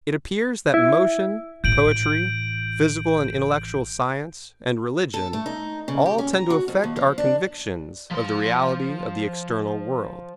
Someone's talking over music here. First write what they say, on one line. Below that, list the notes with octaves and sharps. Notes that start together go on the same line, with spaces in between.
It appears that motion, poetry, physical and intellectual science, and religion, all tend to affect our convictions of the reality of the external world.
E4
A1 G6 D7 F#7
A4
A3
D#4
C#3
G4
C#4
A#5
F#4
F2
D#2
F3
D4
F3 C6